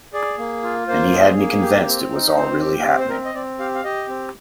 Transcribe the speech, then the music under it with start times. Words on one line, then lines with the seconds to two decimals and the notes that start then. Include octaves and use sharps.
And he had me convinced it was all really happening.
0.14 G#4 D5
0.38 A#3
0.63 F4
0.87 A#3 C5
1.12 G#4
1.37 A#3
1.61 G4
1.87 C4
2.11 D#4
2.36 C4 C5
2.61 G4
2.85 C4
2.99 C5
3.09 C4 A#4
3.25 D#5
3.34 C4 D5
3.59 G4 F5
3.75 F5
3.84 G4 D#5
4.08 C4